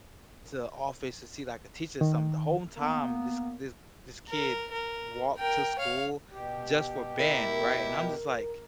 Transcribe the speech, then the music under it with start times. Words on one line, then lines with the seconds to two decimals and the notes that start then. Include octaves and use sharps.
to office to see, like, a teacher or something. The home time, this this this kid walked to school just for band, right? And I'm just like
2.01 D#3
2.77 A#3 B3
4.29 A#4
4.72 A#4
5.38 A#4 G5
5.78 C#5 F5
6.31 B2 G4
7.19 E4 A#4